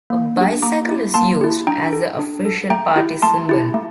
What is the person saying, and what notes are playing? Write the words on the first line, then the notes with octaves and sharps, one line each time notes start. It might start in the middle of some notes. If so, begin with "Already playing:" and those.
A bicycle is used as the official party symbol.
A#3
D4 G4
A#3 A#5 D6
E4 G4
A#3 A5 C6
E4 G4
D4 G5 A#5
A4
D4
A4
A3 G5 A#5
E4 G4
A3 A5 C6
E4 G4
A3